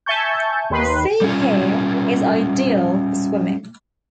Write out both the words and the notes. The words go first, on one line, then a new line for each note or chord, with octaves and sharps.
The sea, here, is ideal for swimming.
E5 G#5 A5 C#6 G6
D#2 D#3 B4 C6
G3 C#4 F4